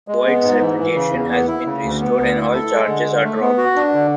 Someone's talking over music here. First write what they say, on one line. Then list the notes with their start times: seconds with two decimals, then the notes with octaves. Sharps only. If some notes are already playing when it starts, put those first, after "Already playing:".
Boyds reputation has been restored and all charges are dropped.
0.08 G#3
0.26 B3
0.43 G#2
0.61 E3
0.78 E3
0.95 C#3
1.13 E2
1.30 B3
1.48 E4
1.65 C#3
1.83 D2
2.01 B3
2.18 D2
2.36 E4
2.54 A4
2.71 G#3
2.88 D3
3.05 D3
3.23 A3
3.41 B3
3.58 F#4
3.76 D4
3.93 D3